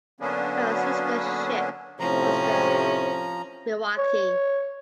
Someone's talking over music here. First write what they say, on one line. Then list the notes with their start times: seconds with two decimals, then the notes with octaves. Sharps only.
Her sistership was the "Milwaukee".
0.20 D3 F#3 A#3 B3 C#4 D4
2.00 A2 C3 F3 C#4 A#5
3.98 C#5